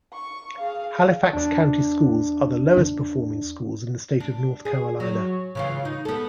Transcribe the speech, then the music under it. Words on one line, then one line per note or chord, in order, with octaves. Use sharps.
Halifax County Schools are the lowest performing schools in the state of North Carolina.
C#6
G#4 F5
E2 D4
D4
G#4
F#3
C#3 E3 F4
D#4
B3 A4